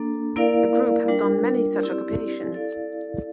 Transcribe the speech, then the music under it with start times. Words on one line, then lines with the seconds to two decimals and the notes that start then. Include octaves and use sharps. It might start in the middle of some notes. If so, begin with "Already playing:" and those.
The group has done many such occupations.
Already playing: A#3 D4 A4
0.36 A#3 E4 A#4 D5 F5
1.08 G3 D4 F4 A#4
1.81 C4 E4 G4 D5
2.52 E4 A4 D5 F5